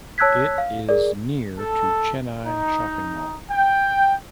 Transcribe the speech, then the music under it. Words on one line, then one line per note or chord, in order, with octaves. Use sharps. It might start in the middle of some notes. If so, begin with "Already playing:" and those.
It is near to Chennai Shopping Mall.
C#5 A5 E6 F#6 G#6 B6
F5
G#4 A#4 D5
A4
D#4
G5